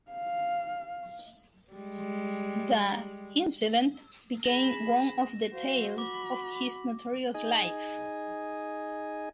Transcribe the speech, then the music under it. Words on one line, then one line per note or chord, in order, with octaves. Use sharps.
The incident became one of the tales of his notorious life.
F5
G3 G#3
G#4 B5 A#6 E7
F#4 C5 F5
B5 D6
D#4 G#4 D#5 G#5